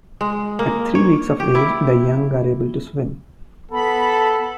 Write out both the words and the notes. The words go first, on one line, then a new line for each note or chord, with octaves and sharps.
At three weeks of age, the young are able to swim.
G#3
A#3
C#5
G4
E4
B3 A4 B5